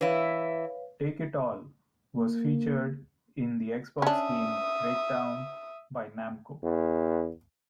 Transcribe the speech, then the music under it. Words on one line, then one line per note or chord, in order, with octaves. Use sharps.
"Take it All" was featured in the Xbox game "Breakdown" by Namco.
E3 E4 B4 C#5 F5
A#3
C#4 D4 E5 D#6
E2